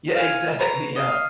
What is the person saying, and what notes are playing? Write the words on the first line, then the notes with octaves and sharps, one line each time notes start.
Yeah, exactly, yeah,
F5 G5 G#5
B4 C#5 A#5
D#5 F5